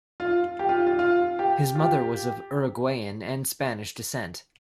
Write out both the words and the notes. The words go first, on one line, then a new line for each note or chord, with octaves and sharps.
His mother was of Uruguayan and Spanish descent.
F4
G4
F4
F4
F4
G4
F4
G4